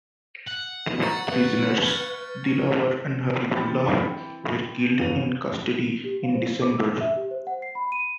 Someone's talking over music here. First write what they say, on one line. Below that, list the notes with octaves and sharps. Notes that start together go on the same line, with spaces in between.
Two prisoners, Dilawar and Habibullah, were killed in custody in December.
F#5
A#5 C#6 A6 C#7
B4
F6 G#6 B6
E3 C4 G5 B5 A6 C#7
G1 E2 B3 C#4 D#7 F7
G4
F5
C5
D6
E6
E5
G4
C5
F#5
C7
B5
D#7